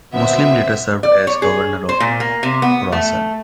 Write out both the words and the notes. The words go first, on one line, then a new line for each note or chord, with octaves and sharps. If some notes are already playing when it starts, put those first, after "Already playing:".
Muslim later served as governor of Khurasan.
D2 B2 B3 C4 E5
D5
C#5
G#4
C5
A#2
A#3
C3
B3
A3